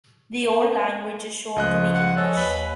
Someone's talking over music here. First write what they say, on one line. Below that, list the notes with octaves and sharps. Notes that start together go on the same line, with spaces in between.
The old language is shown to be English.
C#2 F3 D#5 F#6
F#5
A4 C#5 D#5 G#5
D#2 B4